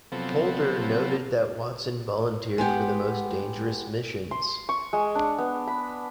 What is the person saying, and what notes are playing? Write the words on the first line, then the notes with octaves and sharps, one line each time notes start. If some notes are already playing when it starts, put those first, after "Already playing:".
Holder noted that Watson volunteered for the most dangerous missions.
C3 F3 F#3 B3 C4 A4
G#3 B3 G4 F#5
C6
C#6
G#3
D4
B3
B5